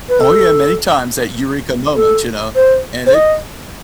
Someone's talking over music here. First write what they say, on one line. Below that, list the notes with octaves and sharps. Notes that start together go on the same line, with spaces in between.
Oh, yeah, many times, that eureka moment, you know, and it's
B4
A4
A4
C5
C5
D#5